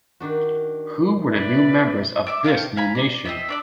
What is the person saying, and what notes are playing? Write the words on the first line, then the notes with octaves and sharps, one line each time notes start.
Who were the new members of this new nation?
D#3 D4 F#4
B4 D5 E5
D5 E5 D6
A3 C4 F5 G5
F5 G#5 A#5 B5
D5
C4 D#5 E5
D4 D5 E6